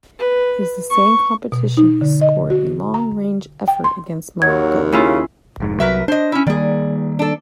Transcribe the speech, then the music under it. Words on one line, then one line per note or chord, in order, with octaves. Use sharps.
In the same competition, he scored a long range effort against Morocco.
B4
C#6
B2
D#4
D3
D#5
F#4
A#5
G5
C6
D#2 F#3 G#6
C#3 C#4 E4 F4
F1 G#2
C2 F#3 A#4 B4 E5
D4 C5 D#5
C#4 E4
D#3 G3 A#3 G#4 D5
D4 A4